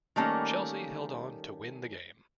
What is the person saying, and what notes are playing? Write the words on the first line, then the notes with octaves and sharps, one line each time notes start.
Chelsea held on to win the game.
D#3 G3 A3 A#3 C#4